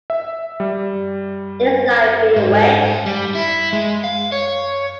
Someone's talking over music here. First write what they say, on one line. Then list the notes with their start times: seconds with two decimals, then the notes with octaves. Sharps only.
It is like bewitched.
0.10 E5
0.60 G3
2.36 G#2
3.06 G3
3.35 E4
3.73 G#3
4.04 F5
4.32 C#5